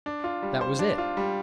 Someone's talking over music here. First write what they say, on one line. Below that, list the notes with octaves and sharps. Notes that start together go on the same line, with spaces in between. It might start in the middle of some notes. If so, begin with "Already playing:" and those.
That was it!
D4
F4
G3
C5
D4
F4
G3